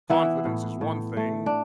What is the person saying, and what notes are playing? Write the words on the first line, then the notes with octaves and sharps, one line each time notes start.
confidence is one thing,
E3 B3 E4
A2
A2
A3
D4